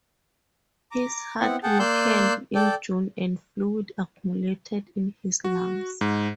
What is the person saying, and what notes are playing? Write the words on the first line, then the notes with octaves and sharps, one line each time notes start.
His heart weakened in June, and fluid accumulated in his lungs.
A#5 D6
B3 C4 E4 F#5
G#4 F#5 G5 A5
A#3 D5 C6 E6 F#6 G6
A4 D5 G5
F#4
G#2